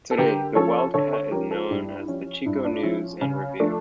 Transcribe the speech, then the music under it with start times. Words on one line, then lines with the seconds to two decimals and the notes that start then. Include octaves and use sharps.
Today, "The Wildcat" is known as the "Chico News and Review".
0.11 A4
0.18 D3 G4 A#4
0.55 F3 C#4 A4 C#5
0.94 D3 A4 C#5
1.13 A4 C#5
1.31 F3 C#4 G4 A#4
1.51 F4 A4
1.70 G2 E4 G4
2.08 F3 C#4
2.46 G2 E4
2.65 D4 F4
2.75 F4
2.83 F3 C#4 E4
3.21 C#3
3.60 F3 A3 D4